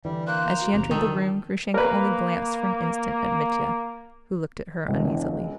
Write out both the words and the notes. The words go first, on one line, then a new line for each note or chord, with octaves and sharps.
As she entered the room, Grushenka only glanced for an instant at Mitya, who looked at her uneasily.
D3 E3 G3
A#3 C5 F#6
A#5
F#4
A#1 E2 C3 A#5
D3 D#3 F3 A4
A#3 A#4 B4
E1 C#2